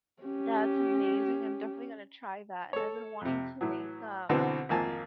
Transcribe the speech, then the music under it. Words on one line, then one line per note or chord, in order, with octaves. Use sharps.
That's amazing, I'm definitely gonna try that. And I've been wanting to make, um,
C#4 G4
A4 C#5
F2 C3
A2 E3 F#3
B1 B2 D3 E3 C4 F#4
G#1 F2 F3 A#3 G#5 A5